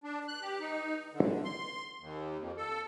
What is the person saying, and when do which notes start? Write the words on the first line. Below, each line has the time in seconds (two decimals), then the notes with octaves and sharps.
Some people said this was because pigs were unclean.
0.04 D4
0.28 F#6
0.42 G4
0.61 D#4
1.13 D3
1.44 C6
2.00 D#2
2.39 F2
2.57 A4